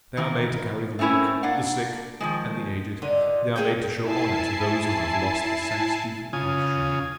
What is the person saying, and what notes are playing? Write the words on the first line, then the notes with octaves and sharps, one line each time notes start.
They are made to carry the weak, the sick, and the aged; they are made to show honor to those who have lost the sense even of shame.
D#3 E3 A#3
A3 C4 C#4 E4 A#4
A#3 D4 F#5
D#3 F3 G#3
A#2 D3 D#5
A#3 G#4 A4 G5
E4 G#5 A5 C7
C#3 F4 G#5 D#6